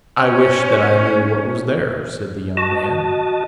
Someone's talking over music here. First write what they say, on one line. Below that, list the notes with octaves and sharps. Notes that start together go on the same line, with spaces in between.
"I wish that I knew what was there," said the young man.
C#4 C5
F#4 D#5 A5